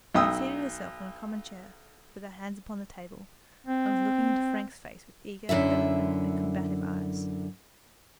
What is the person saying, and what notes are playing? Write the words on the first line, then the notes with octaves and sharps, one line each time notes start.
She had seated herself on a common chair, with her hands upon the table, and was looking into Frank's face with eager, eloquent, and combative eyes.
B1 G5 D#6 E6
C4
F#2 D3 E4 E5